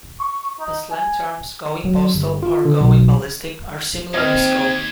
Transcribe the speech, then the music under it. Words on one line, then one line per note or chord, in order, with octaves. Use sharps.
The slang terms "going postal" or "going ballistic" are similar in scope.
C#6
D#4
G#5
F#3
G1
F4
D3
B1
D#2 C4 D#5 F6 G#6